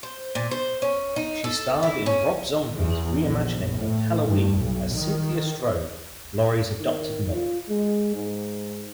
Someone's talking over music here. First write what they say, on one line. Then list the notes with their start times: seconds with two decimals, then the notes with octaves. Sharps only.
She starred in Rob Zombie's re-imagining of "Halloween", as Cynthia Strode, Laurie's adoptive mother.
0.03 C5
0.35 A#2
0.51 C5
0.82 C#4
1.16 D#4
1.44 A4
1.83 E4
2.06 C#4
2.76 E2
3.21 A#1
3.77 A2
4.25 G2
4.61 B1
4.94 D#3
6.79 D#3
7.33 F4
7.70 G#3
8.15 G#2